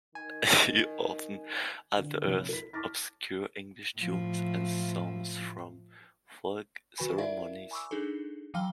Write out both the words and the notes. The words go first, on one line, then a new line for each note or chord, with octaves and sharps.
He often unearths obscure English tunes and songs from folk ceremonies.
D#3 G#5
D3
A#1 C3 E4 C#5
A4 B6
A5 C#6 D6 F6 A6 A#6
A2 F3
D#3 F#4 B4 G#5 B5
E4 A#4 D5 E5 F5
G#5 B5 C#6 D6 E6
D4 D#4 G#4 A4
E3 F#3 F5 G5 F6 G7